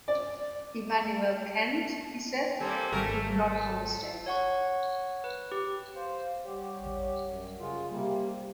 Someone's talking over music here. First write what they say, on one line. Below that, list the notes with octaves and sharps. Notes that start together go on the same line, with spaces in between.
Immanuel Kant he said he could not understand.
D5
G3 A#3 C4 A4 G#5
G#1 F2 A3 A4 A#4
C#5 F#5 C#6
B4
G4
C5 F5
G3 G4 C#5 F#5
F#2
C#3 G#3 F4
C3 G3 A#3 G4